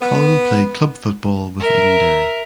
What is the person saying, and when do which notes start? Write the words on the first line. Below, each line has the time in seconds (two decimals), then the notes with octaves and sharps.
Cullen played club football with Edenderry.
0.01 B3
1.60 A#4 E5